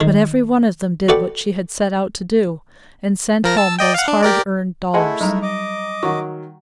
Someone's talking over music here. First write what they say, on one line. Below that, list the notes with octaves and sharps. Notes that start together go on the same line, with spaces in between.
But every one of them did what she had set out to do, and sent home those hard-earned dollars.
D#3 G#3
F#4 A4 B4 D5 F#5 G5
F3 A#4 A#6
A5 E6
D5 D#5 G5
F5 F#5
D4
G4 A#4 D5
A3 E4 G#4 D#5 F#5 G#5 A5 C6
F#3 G3 D#4 A#5
D#5 D6
D#3 F#3 F#5 C#6